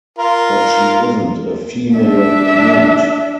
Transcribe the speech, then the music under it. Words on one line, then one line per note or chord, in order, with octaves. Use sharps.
But she isn't a female newt.
F4 A#4
D4 E5